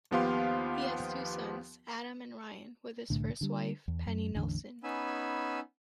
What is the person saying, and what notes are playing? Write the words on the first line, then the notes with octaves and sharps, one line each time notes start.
He has two sons, Adam and Ryan, with his first wife, Penny Nelson.
D#2 F3 B3 G4 F5 C6
C2 A2 D3
D3 G3
E2
F#2
A1 E2 D3
B3 C#4 D#4 G#5 B5 E6